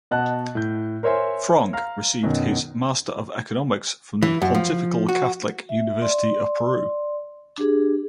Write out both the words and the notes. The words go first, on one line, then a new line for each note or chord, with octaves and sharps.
Francke received his Master of Economics from the Pontifical Catholic University of Peru.
B2 D#5 F#5 A5 F#6
A2 G6
A#4 C5 C#5 E5 G#5 C6
F5 A#5 F6
F#2 B2 D#3 F#3
E3
F#2
F3
F#4
E5
D5 C6
D4 G4 G#4